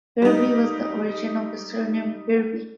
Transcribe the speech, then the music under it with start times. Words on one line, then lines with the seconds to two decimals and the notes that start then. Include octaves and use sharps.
Firby was the origin of the surname Firby.
0.22 G3 D#4